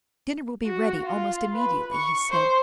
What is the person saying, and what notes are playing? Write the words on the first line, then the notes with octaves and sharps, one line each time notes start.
"Dinner will be ready almost immediately," he said.
F#4
F4
B4
C#6
C5